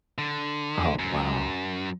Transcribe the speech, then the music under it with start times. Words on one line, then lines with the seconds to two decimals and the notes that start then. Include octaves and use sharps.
Oh, wow.
0.18 D3
0.99 F#2